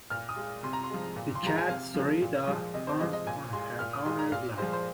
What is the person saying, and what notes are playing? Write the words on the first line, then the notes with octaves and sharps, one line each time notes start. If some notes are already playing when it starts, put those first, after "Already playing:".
The cat Sarita pounced on her owner's lap.
A#2 F6
D#6
G#3
C3 C6
A#5
C6
F3 G#3
A#2
C6
F3 G#3 A#5
G#5
C3 F5
F3 G#3
A#2
F3 G#3
C3 D#5
C5
F3 G#3 D#5
D#5
A#2 G#5
G#3 C6
A#2 F6
D#6
G#3 C6
A#5
A#2 F5
F3 G#3 C5
C5